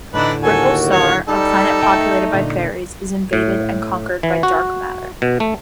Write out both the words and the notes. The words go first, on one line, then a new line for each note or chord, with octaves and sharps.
Ripple Star, a planet populated by fairies, is invaded and conquered by Dark Matter.
A2 D3 E3 D4 D#4 B4
D#2 F#4 A4 G#5
C#5
G3 D#4 A4
A3 G5 A5
A#2 D3
A2
E3
F#4
B2
A3